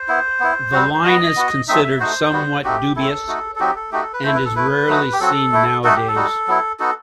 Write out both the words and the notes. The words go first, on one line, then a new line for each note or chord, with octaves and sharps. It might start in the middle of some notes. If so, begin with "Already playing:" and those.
The line is considered somewhat dubious and is rarely seen nowadays.
Already playing: C5
B3 E4
B3 E4
G3 C4 F#4
C5
B3 F#4 D#5
B3 F#4
F#3 A3 C4 D#4 E5
E5
A3 D#4 F#4 C5
G3 B3 F#4
A3 C4 D#4 F#4 G4
A3 C4 E4 A4
A3 D#4 F#4
A4
F#3 C4 D#4 F#4 G4
A4
A3 D#4 F#4 G4
A4
B4
A3 E4 C5
B4
A4
A3 E4 B4
F#3 A3 D#4 F#4
G4
F#3 C4 F#4 A4
A3 E4
A3 D#4 F#4 A4
G4
A4
G3 D#4 F#4
F#3 B3 E4
B3 D#4 F#4 A4